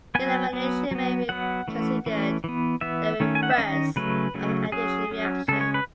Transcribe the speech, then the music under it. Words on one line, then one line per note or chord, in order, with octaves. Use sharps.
Elimination may be considered the reverse of an addition reaction.
F#3 B3 G#5
F#3 B3
F#3 B3
F#3 B3 F#5
E3 A3 C#4
E3 A3 C#4
E3 B3
E3 B3 E5
D#3 A3 C#4
G#5
F#5
E5
D#3 A3 C#4 D#5
C#3 F#3 A3 C#4 B4
C#3 F#3 A3 C#4
F#3 C#4 G#4
F#3 C#4
C#3 G#3 C#4 A4
C#5
B4